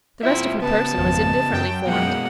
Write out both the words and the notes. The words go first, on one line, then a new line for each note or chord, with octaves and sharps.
The rest of her person was indifferently formed.
A#2 C4 E4 F4 E5
C#3 B3 B4 A5
G#1 F2 F3
F#2 G5
B2 G#3 A#3 F#5